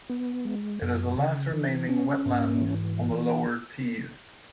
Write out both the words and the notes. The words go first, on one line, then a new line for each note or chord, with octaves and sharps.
It is the last remaining wetland on the lower Tees.
B3
G#3
F#2
C#3
E3
C#4
G#2
E3